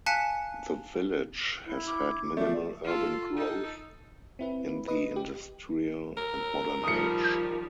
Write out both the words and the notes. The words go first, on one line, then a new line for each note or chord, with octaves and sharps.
The village has had minimal urban growth in the industrial and modern age.
F5 G#5 A5 F#6 B6 C#7
E4
D6
F3 A3 D5
F4 A4
D#4 A4
C4 E4 B4
B4 D#5 D#6
G4
A#4
D#3 F3 G3 D#6 C#7